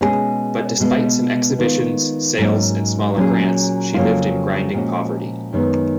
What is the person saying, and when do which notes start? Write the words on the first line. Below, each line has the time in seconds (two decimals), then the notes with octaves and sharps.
But despite some exhibitions, sales, and smaller grants, she lived in grinding poverty.
0.01 B2 G#3 C#4 G#4
0.80 B2 G#3 B3
1.58 D#3 G#3 B3 F4
2.38 G#2 F#3 A#3 C#4
3.16 A#2 F#3 C#4 G#4
3.94 F2 C#3 F#3 A#3 F4
4.74 A#2 F3 G#3 C#4 F#4
5.53 F#2 D#3 G#3 B3